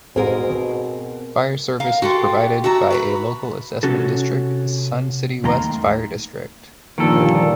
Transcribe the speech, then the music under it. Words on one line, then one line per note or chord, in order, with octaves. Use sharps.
Fire service is provided by a local assessment district, Sun City West Fire District.
A1 G#2 B2 C4 G#4 A#4
A#4 F5
F#4 G4 A4 C6
F#4 E5 A5 A#5
B4 A#5 B5
C3 C#4 F#4 A4
D#2 D#3 A3 A#3 A#5 C6
G1 A#2 D#3 F3 A#3 A4